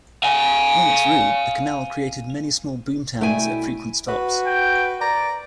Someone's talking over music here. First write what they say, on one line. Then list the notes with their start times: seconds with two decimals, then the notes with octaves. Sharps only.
Along its route, the canal created many small boomtowns at frequent stops.
0.24 F5 G#5
3.21 B2 A3 E4 G5 G#5
4.08 F#4 B4
4.47 G5
5.01 D5 A#5